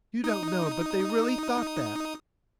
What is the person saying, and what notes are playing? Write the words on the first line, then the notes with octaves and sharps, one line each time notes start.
You don't know, but they really thought that.
D#4 D#6